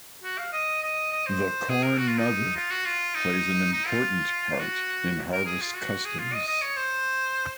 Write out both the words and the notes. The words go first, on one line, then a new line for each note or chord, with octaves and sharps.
The Corn Mother plays an important part in harvest customs.
F#4
F5
D#5
D#5
D#5
C5
G#4
A#4
F#4
F4
D#4
F4
F#4
F4
D#4
D#4
F4
F#4
A#4
G#4
F4
F#4
G#4
F4
D#5
D#5
C#5
C5